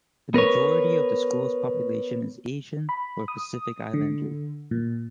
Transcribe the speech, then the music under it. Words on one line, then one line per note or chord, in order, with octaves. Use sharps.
The majority of the school's population is Asian or Pacific Islander.
B3 A#4 B4 C#5
B5
D#6
D3
A#2